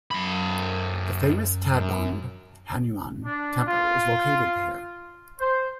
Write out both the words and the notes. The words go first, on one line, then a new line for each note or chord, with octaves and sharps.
The famous Tadbund Hanuman temple is located here.
F#2 B5
D4
F4
C5